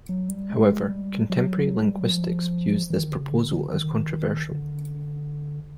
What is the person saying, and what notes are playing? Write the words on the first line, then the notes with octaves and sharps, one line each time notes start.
However, contemporary linguistics views this proposal as controversial.
F#3
G3
G#3
G3
F#3
G#3
G3
F#3
F3
E3
D#3
D3
C#3
D3
D#3
D3